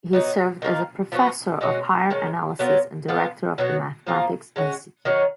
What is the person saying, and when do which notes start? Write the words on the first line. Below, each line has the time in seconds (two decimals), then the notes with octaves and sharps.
He served as a professor of higher analysis and Director of the Mathematics Institute.
0.13 F#3 B3 D#4
0.62 D#3 A#3 F4
1.12 F3 B3 D#4 F#4
1.61 B2 G#3 C#4 F#4
2.10 D#3 G#3 C#4
2.59 F#3 B3 F4 A#4
3.08 F3 B3 F4
3.58 B2 F#3 B3 F#4
4.07 F3 A#3 F4 A#4
4.56 G#3 C#4 F#4
5.05 D#3 F#3 C#4